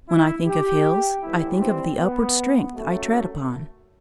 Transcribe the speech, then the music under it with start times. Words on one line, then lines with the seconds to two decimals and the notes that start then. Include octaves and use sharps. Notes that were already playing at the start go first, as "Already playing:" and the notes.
When I think of hills, I think of the upward strength I tread upon.
0.08 E4
0.47 G4
1.22 G1 G2 E3 G3 E4
1.61 C4
1.98 B3
2.74 F#2 F#3 A3